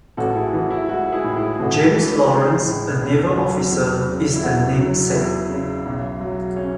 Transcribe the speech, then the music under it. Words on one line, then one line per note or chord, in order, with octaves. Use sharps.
James Lawrence, a naval officer, is the namesake.
A1 F#4 A4
E4 G#4
E3 F#4
E4
G#3 F#4
E4 G#4
A2
E4 G#4
A1 F#4 A4
E3
G#3
A2
E2
F#3
E2
C#3
E4
E2 F#4
F#3
E2 E4
C#3
B1
F#3
C#4